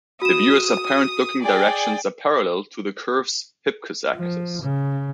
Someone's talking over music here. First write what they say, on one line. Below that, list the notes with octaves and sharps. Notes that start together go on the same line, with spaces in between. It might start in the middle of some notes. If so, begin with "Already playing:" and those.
The viewer's apparent looking directions are parallel to the curve's "hypcos" axis.
F#4 D#6 E7
G#4 D5 G5
F3
C#3